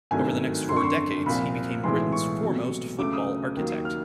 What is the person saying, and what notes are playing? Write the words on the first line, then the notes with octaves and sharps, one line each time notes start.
Over the next four decades he became Britain's foremost football architect.
G#1 G2 D#3 F#3 A3 G#5
G#1 F#2 D3 C6
C#6
C6
C2 A#2 F3 B5
B1 A2 E3 G#3 C6
C#6
C2 B2 F#3 A3
C#2 C#3 F#3 A3 D6
D#6
D#2 D#3 F#3 A#3
F6